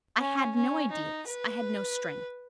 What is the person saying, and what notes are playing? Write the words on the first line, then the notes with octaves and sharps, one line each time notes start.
I had no ideas; I had no strength.
C#4
C#4
D#4
B4